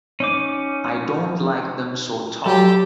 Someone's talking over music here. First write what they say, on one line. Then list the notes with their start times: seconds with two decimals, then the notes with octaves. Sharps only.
I don't like them so tall.
0.20 C#4 D#4 D6
2.46 F#3 G4 A4